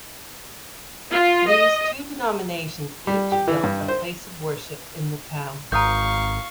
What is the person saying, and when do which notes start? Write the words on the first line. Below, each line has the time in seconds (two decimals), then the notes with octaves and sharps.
These two denominations each built a place of worship in the town.
1.11 F4
1.47 D#5
3.07 G3
3.32 G4
3.48 E3
3.64 G2
3.88 C5
5.72 G#1 F5 A#5 C#6 D#6 G6